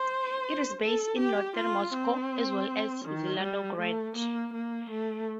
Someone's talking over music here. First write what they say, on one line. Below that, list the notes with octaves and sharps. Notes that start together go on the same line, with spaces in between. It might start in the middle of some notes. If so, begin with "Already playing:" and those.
It is based in Northern Moscow as well as Zelenograd.
Already playing: C5
A4
G4
F4
C4
D#3
G3
A3
A#3
A#3
A3